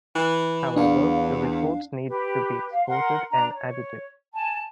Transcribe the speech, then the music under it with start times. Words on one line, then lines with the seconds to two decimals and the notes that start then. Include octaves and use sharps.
However, the reports need to be exported and edited.
0.15 E3
0.76 E2 D4 F5
2.08 G4 B4
2.71 F5
2.86 A#4 F#5 C6
3.31 D4 A#5
3.52 C#5
4.33 G#5 A5